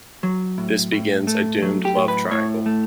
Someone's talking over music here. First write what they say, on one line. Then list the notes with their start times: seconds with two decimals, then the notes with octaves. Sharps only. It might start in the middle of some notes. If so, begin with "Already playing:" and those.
This begins a doomed love triangle.
0.23 F#3
0.58 A2
0.92 A2
1.27 A3
1.62 F#3
1.85 G4
1.96 A2
2.08 B4
2.31 A2 C#5
2.66 A3